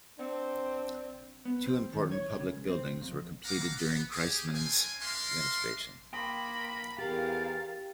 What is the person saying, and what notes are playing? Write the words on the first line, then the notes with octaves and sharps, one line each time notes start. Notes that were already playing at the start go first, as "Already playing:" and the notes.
Two important public buildings were completed during Kreismann's administration.
C4 D4
B3
C4
D#3
C#5
C#3
C#2
C4
F2
D4 E4 F5 F#5 A#5 D6
B3
G4 G#4
C4 D4 F5 G#5
D4 A#4 D5 E5 F5 C6
A#3 G5 B5 C6 D#6 A#6
E2 G4 A#4 F5 A6